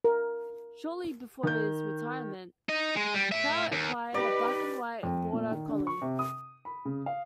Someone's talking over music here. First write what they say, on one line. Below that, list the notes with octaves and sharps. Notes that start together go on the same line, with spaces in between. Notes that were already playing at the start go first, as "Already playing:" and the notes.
Shortly before his retirement, Prout acquired a black and white Border Collie.
A#4
D#3 G6
D#4 D#5
G#3
G3
A2 E5
D#2
D#4 G4 B4 D5
F2
A#2
D#3
D3
C#6
C3
D#6
B5
C#3
F5